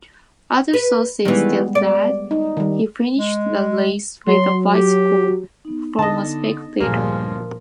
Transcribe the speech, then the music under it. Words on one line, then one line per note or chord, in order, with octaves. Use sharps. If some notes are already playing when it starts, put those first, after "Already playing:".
Other sources tell that he finished the race with a bicycle from a spectator.
B4
D#3 E3 G3 G#3 B3
D5
D#4
D#3 G3
G#3
F#3 C6
G4
B3 D#4
D3 D#5 A5
D2 G2 A#2 F3 G3 A#3 G#4 G#5
A#4